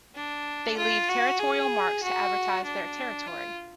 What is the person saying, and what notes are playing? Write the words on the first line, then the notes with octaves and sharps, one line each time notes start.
They leave territorial marks to advertise their territory.
D4
F4
F#4
G#4
F#4
D4
F4